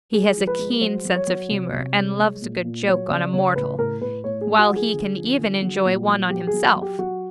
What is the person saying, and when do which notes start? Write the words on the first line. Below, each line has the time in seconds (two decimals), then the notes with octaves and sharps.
He has a keen sense of humor and loves a good joke on a mortal, while he can even enjoy one on himself.
0.13 G#3 G#4
0.37 F3
0.47 B4
0.59 G#3
0.81 F#3 C5
1.05 F#3
1.16 C#5
1.27 F#3
1.50 C3
1.73 C3
1.96 G#3
2.19 G#3
2.41 A#2
2.64 A#2
2.88 F#3 C#5
3.10 C#3 D5
3.33 C#3 C#5
3.56 A2 B4
3.78 A2 A#4
4.01 A2 B4
4.24 A2 C#5
4.41 G#4
4.47 G#3
4.59 F#4
4.70 F3
4.76 G#4
4.94 D3
5.16 F3
5.39 D3
5.62 F#3
5.85 A#2
6.08 F#3
6.30 F#3 G4
6.47 G#4
6.54 F#3
6.64 F#4
6.76 F#3
6.82 G4
6.99 F#3 F#4